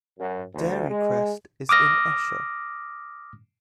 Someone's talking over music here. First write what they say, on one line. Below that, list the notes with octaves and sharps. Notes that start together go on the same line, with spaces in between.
Dairy Crest is in Esher.
F#2
D2
G#3
D6 D#6 F6 A#6